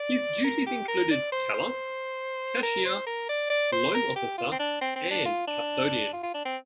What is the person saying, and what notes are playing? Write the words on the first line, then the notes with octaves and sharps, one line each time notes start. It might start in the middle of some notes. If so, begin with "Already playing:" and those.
His duties included teller, cashier, loan officer and custodian.
Already playing: D5
A#4
G4
A#4
D5
C5
C5
A#4
C5
A#4
D5
D5
C5
A#4
G4
F4
C4
D4
C4
C4
D4
F4
D4
F4
F4
D4
C4